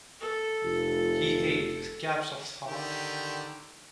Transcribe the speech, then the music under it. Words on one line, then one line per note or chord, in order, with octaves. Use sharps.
He ate with gaps of thought.
A4
F1
D3 D#3 G4